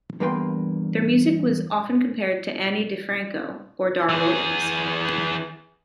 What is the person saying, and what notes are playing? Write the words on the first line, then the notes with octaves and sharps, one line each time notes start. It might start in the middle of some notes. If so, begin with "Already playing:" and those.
Their music was often compared to Ani DiFranco or Dar Williams.
E2 G2 A#3 B4 G5 C6
E3 G#4